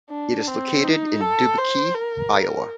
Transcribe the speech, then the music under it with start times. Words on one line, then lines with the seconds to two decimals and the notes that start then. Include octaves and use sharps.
It is located in Dubuque, Iowa.
0.10 D4
0.48 C4
0.84 D#4
1.21 A4
1.58 C5
1.95 A#4